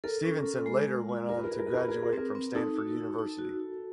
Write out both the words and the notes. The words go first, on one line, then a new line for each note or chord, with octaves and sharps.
Stevenson later went on to graduate from Stanford University.
A4 A#4
C#4
A4
G#3
G#3
F4
F4 A#4
B4
A#4
G#4 B4
A#4
B4
F4 A#4
B4
A#4
G#4 B4
A#4
B4
C4 A#4
C4
D#4 A4
F#4
D#4
D#4
F#4
F#4